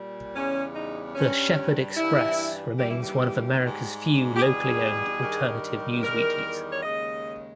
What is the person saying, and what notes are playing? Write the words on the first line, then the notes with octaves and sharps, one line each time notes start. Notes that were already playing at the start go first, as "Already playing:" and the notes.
The "Shepherd Express" remains one of America's few locally owned alternative newsweeklies.
Already playing: A#2 G3
E2 C#3 G3 C#4
D#4
G2 G3 C#4
G2 E3 G3 E4
D#2 C#3 E3 G3 G4
E4
G4
G#2 G3
G4
E2 B2 G3 G#4
G2 D#3 G3
E2 D#3 G3 A#4
C#5
D#2 C#3 G#3 D#5